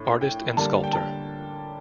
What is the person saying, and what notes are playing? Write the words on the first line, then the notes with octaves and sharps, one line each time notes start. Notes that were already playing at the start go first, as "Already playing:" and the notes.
Artist and sculptor.
Already playing: A2 D4
G5
D3 G3 A#3 D4 A5
G5
A5